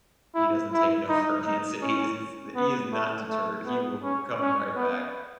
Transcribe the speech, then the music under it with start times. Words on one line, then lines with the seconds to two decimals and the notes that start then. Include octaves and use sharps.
he doesn't take no for an answer, he is he is not deterred, he will come right back,
0.35 E4
0.72 E4
1.09 D#4
1.45 D#4
1.82 C#4
2.56 B3
2.92 A3
3.29 A3
3.66 B3
4.03 C#4
4.40 C#4
4.76 B3